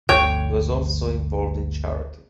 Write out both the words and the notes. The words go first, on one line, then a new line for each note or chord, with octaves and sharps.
He was also involved in charity.
G1 D2 D3 C#5 G5